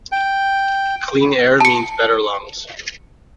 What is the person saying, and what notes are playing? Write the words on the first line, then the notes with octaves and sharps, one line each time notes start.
Clean air, means better lungs.
G5
A5 C#7